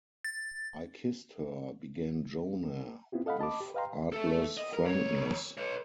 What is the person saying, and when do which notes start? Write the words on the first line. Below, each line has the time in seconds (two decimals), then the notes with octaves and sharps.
"I kissed her," began Jonah, with artless frankness.
0.25 A6
3.12 B3 C4 E4 F4 G4
3.26 A4 D#5 F5 F#5 B5
3.39 D#5 A5 B5 D6
3.60 G4
3.74 B4 D#5 F5 G5 A#5 C6
4.12 A4 E5
4.57 D#5
4.73 A#4
4.85 E2 C#5
5.58 B4 C#5